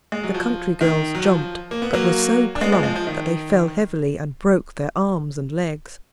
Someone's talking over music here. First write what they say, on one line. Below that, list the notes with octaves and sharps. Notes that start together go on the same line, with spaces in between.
The country girls jumped, but were so plump that they fell heavily and broke their arms and legs.
G#3
F#3
F3
D#3
F#3
F3
A#3
B3
F#3 A#3
D4
G#3 B3
F3 G#3
F3 G#3
F3
D#3